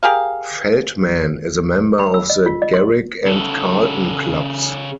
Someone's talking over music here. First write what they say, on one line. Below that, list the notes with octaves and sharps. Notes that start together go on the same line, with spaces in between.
Feldman is a member of the Garrick and Carlton Clubs.
G4 G#4 A#4 F5
B5
E6
D#5
F4
D#5
C6
C#3 A4